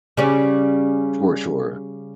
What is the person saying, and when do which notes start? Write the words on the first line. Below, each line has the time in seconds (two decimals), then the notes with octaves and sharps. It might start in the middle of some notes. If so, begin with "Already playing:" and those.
Sure, sure.
0.17 C#3 G3 C#4